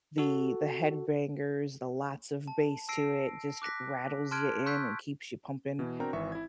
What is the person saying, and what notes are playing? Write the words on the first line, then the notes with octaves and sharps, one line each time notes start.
the the head bangers, the lots of bass to it, just rattles you in and keeps you pumping,
F#4 A4
A5
A5 E6 A#6 C7 D7
D6 F#6 A#6 B6
A5 C6 F6 F#6 G#6 D7
C6 C#6 E6 F#6 G6 B6
B2 E3
C4 D4 F#4 A#4 G5 A#5
G#1 E3 E5 C#6
E4 G#6